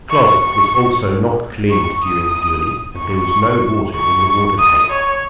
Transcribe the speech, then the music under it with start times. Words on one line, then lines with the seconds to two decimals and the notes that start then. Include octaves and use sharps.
The closet was also not cleaned during the journey and there was no water in the water tank.
0.10 C#6
0.42 C#6
1.70 C#6
2.03 D#6
2.99 C#6
3.95 C#6
4.59 D#6
4.90 C#5